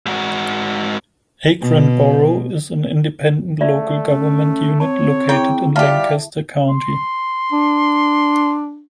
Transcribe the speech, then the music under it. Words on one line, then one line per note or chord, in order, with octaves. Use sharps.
Akron borough is an independent local government unit located in Lancaster County.
G#2 F#4
B2
A3 D5 E5
C#4
C4 C#5 A5
E4 G#4 G5 C#6
G3 F4 G4 D5 E5 A5
C6
D4